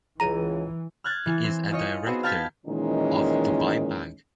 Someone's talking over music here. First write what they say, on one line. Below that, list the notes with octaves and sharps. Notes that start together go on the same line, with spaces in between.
He is a director of Dubai Bank.
C#2 E3 A#5 D#7
F6 F#6 G#6 A6
E3 G#5
C4
D#4 F4 C#5 D#5
B3 C4 F#4 G#4
F5 G5 A5 F6 G#6 B6
A#2 D#3 E3 G#3 C#4 D#4